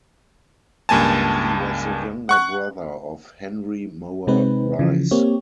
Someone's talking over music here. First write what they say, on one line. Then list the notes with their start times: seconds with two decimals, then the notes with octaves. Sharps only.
He was the younger brother of Henry Mower Rice.
0.89 C#2 G2 A#3 G#5 A5
2.29 F#5 C#6 F#6
4.27 C3 G#3 C4 D#4 B4
4.79 C#3 E3 F3
5.11 A#3 C4 G4 C#5